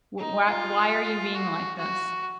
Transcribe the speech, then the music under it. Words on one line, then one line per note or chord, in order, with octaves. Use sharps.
Wh why why are you being like this?"
D#4
F4
F#4
F#4